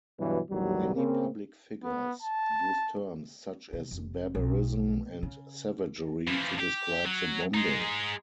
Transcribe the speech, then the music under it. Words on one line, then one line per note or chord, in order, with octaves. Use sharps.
Many public figures used terms such as "barbarism" and "savagery" to describe the bombing.
G2 B2 E3 F#3
A1 D#2 F#3 G3
C#3 A#3 C4
B3
A5
C3
F1
B1
C#3
E3 F3
G4
F#3
G#3 D#4